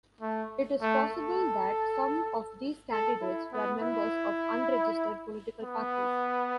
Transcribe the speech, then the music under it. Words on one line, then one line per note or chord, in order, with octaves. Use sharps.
It is possible that some of these candidates were members of unregistered political parties.
A3
A3
A4
A4
E4
B3
E4
B3